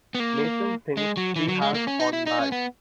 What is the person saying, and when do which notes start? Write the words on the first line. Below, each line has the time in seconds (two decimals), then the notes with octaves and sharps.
Mason thinks he has gone mad.
0.15 B3
0.20 A#3
0.97 G#3
1.17 F#3
1.36 E3
1.48 F#3
1.61 G#3
1.74 A#3
1.87 C#4
2.00 D#4
2.13 E4
2.26 D#4
2.39 C#4
2.52 B3